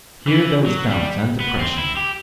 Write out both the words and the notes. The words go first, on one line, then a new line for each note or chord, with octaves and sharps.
Here there was doubt and depression.
E3
F#3
G3
B3
C4
E4
G4